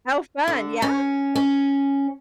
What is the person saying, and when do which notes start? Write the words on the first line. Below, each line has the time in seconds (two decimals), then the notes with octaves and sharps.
How fun, yeah.
0.48 D3
0.82 C#4
1.36 C#4